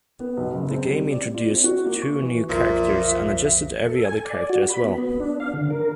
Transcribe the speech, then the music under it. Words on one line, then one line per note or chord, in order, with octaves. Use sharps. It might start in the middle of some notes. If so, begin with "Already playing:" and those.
The game introduced two new characters and adjusted every other character as well.
B3
B1
F#1
C4
G3
D5
F4
C4
F#4
A#3
C#6
E3
B1 F2 A#2 F3 E5
A4
G#5
D5
F#4
B5
B3
B3
D4
F5
D3
A#4